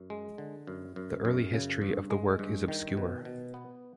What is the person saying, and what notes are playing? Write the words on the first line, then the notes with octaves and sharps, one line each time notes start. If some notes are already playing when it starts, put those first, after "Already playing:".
The early history of the work is obscure.
Already playing: F#2
G#3
D3
F#2
F#2
F#2
C#3
G2
G#3
G2
D#3
B2
B2
B3